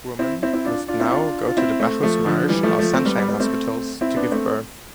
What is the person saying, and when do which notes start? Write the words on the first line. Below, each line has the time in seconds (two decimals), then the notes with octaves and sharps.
Women must now go to Bacchus Marsh or Sunshine Hospitals to give birth.
0.19 C4 E4
0.42 C4 E4
0.53 C4 E4
0.65 D4 F4
0.88 D4 F4
1.00 C4 E4
1.11 D4 F4
1.47 F4
1.57 C4 E4
1.80 A3 C4
2.03 F3 A3
2.26 D3 F3
2.48 E3 G3
2.63 F3 A3
2.79 F3 A3
2.94 A3 C4
3.05 G3 B3
3.17 G3 B3
3.28 G3 B3
3.40 A3 C4
4.01 C4 E4
4.16 B3 D4
4.31 A3 C4